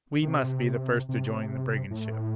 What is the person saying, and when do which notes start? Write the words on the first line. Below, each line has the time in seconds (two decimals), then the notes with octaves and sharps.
We must be the first to join the brigand ship.
0.22 D#3
0.27 C3
1.09 C3
1.91 A2